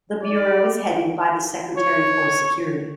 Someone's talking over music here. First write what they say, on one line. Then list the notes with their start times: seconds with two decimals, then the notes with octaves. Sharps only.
The bureau is headed by the Secretary for Security.
0.22 D5
1.77 C#5